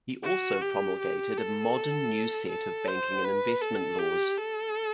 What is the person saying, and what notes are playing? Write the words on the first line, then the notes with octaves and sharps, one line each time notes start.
He also promulgated a modern new set of banking and investment laws.
F#4
G4
G4
A4
A4
C5
B4
A4
G4
A4